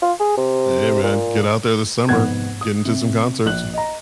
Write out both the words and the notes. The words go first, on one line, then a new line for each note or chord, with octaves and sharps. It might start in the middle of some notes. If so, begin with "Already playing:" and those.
H hey, man, get out there this summer. Get into some concerts.
F4
G#4
C3
A#2
F1 G#2 B3 F#5 F#6 G#6
D#6
C3
A#1 F#6 F#7
D#5 A#5